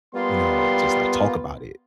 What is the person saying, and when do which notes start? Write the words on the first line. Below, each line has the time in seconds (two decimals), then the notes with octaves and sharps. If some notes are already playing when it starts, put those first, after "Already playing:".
you know, just, like, talk about it,
0.15 G3 A#3 B3 F4 C6